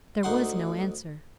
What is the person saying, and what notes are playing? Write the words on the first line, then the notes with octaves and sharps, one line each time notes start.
There was no answer.
D2 D#4 F#5 C6